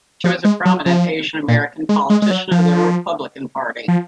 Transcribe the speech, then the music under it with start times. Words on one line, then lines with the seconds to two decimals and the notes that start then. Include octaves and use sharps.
She was a prominent Asian-American politician of the Republican Party.
0.24 F3
0.45 G#3
0.66 F#3
0.86 F3
1.48 A#2
1.89 G#3
2.10 G#3
2.22 G#3
2.31 F#3
2.51 F3
3.88 F3